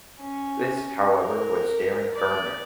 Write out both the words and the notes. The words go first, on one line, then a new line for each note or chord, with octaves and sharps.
This, however, was Darren Gardner.
C#4
A#4
D5